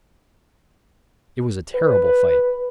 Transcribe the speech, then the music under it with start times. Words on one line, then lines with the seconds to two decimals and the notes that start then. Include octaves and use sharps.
It was a terrible fight.
1.75 B4